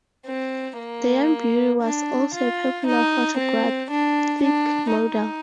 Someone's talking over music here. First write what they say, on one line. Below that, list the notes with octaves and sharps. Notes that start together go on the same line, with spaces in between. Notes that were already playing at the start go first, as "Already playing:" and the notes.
The young beauty was also a popular photographic model.
C4
A#3
D4
F4
D#4
C4
D4
D4
D#4